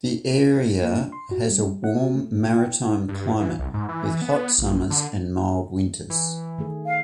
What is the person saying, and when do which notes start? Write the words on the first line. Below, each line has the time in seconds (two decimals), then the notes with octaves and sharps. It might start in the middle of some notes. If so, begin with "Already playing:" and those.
The area has a warm maritime climate with hot summers and mild winters.
0.82 A#3
1.00 D4
1.12 C6
1.31 F#4
1.50 G3
1.84 F#5
2.01 F#4
2.15 A3
2.44 B2
2.58 G5
3.08 G2
3.40 E3
3.59 C2
3.74 G#2
3.89 E3
4.22 B3
4.58 A#1
4.90 D3
6.10 E3
6.58 D#3 A3 G#4
6.85 F5